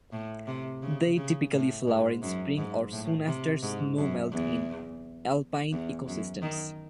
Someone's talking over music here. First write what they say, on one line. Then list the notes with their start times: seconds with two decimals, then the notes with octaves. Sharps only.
They typically flower in spring or soon after snow-melt in alpine eco-systems.
0.12 A2
0.47 C3
0.82 C#3
1.17 C#3
1.52 A2
1.87 G#2
2.22 F#2
2.57 G#2
2.92 A2
3.27 C3
3.62 G#2
3.97 F#2
4.32 E2
5.72 E2
6.07 F#2
6.42 D#3